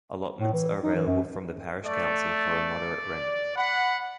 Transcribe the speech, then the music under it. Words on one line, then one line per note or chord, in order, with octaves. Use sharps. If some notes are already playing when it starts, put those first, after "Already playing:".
Allotments are available from the Parish Council for a moderate rent.
A2
E3
D#4
E3
F#2
A3 D5
F#5 B5